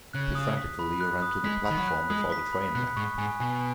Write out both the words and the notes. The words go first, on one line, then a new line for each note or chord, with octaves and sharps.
He frantically ran to the platform before the train left.
C#3 F#6
D#6
B6
B5
F#6
D#6
G#3 B6
D#3 B5
F#3
F#6
G#3 D#6
B6
B5
B2 F#6
G#2 C#6
G#2 G#5
B2 G#5